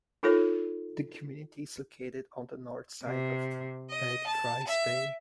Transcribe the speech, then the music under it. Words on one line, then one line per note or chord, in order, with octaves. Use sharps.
The community is located on the north side of Bete Grise Bay.
D#4 F4 A4 A#4 C#5
C3
D#5
A5
E5